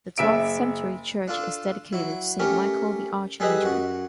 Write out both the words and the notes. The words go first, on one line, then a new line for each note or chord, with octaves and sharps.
The twelfth- century church is dedicated to Saint Michael the Archangel.
F#1 E5 D7
D4 F4 A4
F#3 E4
A3 C#4 G4 A#4
G3 G#4 A4 B4 D#5
F#2 F#4